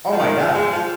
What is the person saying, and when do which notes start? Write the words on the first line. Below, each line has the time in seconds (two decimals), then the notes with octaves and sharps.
Oh my gosh.
0.12 F3
0.19 D#3
0.37 F3
0.54 G#3
0.72 F3